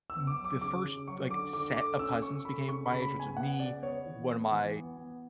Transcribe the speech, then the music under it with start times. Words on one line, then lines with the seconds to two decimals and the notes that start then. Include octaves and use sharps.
n the first, like, set of cousins became my age, which was me, one of my
0.10 E6
0.16 B3
0.27 D6
0.39 F#3
0.44 D6
0.61 C#3 D6
0.85 C#3
1.08 F#3 C#6
1.30 D3 D6
1.53 D3 D6
1.76 A3 D6
1.99 C#4 E6
2.22 C#4 C#6
2.45 A3 B5
2.68 C#3 C#6
2.86 B5
2.91 C#3
3.02 B5
3.14 B3
3.20 G#5
3.37 B3 F#5
3.60 C#3 D5
3.83 B3 C#5
4.06 E3
4.29 B3
4.52 E3
4.74 B3
4.97 B3